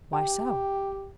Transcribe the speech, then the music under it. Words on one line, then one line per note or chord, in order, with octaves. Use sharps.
"Why so?"
G4 G5